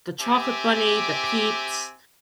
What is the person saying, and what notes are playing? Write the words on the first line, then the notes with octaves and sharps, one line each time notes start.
the chocolate bunny, the peeps,
C4 G4 E5 G#5 D6